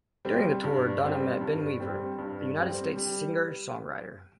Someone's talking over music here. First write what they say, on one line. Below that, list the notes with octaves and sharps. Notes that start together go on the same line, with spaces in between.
During the tour Donna met Ben Weaver, a United States singer-songwriter.
G3 C4
G2
G3 C4
G2
G3 C4
G2
G3 C4
G3